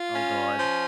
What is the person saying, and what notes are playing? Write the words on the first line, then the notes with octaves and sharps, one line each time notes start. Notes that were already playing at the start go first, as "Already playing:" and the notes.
Oh god.
Already playing: F4
C#4
F3